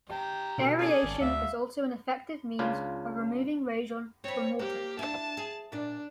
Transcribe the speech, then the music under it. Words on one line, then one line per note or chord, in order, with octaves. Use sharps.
Aeration is also an effective means of removing radon from water.
G4 G5 A#5
B2 D3
C#4 G#4 A4 D5 G#5
G#1
D2 E5 F5
C#2 C#3 D4 F4
C4 B4 C#5
A#3 G4
D4 E4 A5
G#4
A#2 D4 D5